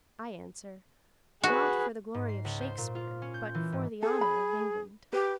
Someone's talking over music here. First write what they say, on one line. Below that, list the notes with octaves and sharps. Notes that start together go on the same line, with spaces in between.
I answer, not for the glory of Shakespeare, but for the honor of England!
F#4 G#4 B4
G#2
C7
C#2
C5
A#2
F4
C#4
G6
E3
G#2
G#4 A4
B5
G4 B4